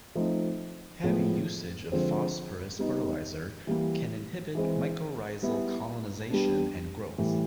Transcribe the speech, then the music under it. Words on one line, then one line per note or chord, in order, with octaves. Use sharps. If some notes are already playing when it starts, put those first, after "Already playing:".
Heavy usage of phosphorus fertilizer can inhibit mycorrhizal colonization and growth.
F3 A3 C4 D#4
A2 F3 G#3 B3
D3 F3 G#3 C4
G3 B3 D#4
E3 G3 A#3
E3 G#3 C4
G3 B3 E4
G3 B3 D4
A2 E3 G3